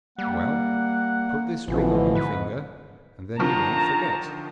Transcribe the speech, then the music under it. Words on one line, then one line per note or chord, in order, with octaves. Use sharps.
'Well, put this ring on your finger, and then you won't forget.'
G3 A#3 F#5
A1 B2 D3 E3 F3
G#2 B4
D3 D#3 F3 A5 A#5